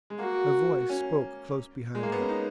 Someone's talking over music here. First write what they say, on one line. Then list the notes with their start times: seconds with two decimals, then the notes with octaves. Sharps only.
A voice spoke close behind her.
0.10 G#3
0.19 A#3 F#4
0.89 C#4
1.95 G#3
2.03 A#3
2.12 B3
2.20 C#4
2.29 D#4